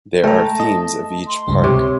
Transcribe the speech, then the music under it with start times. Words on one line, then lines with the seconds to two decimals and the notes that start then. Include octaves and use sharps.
There are themes of each park.
0.24 A3 G5 A5 A#5
0.60 D#5
1.28 C6
1.48 C#2 G2
1.64 C3 C#5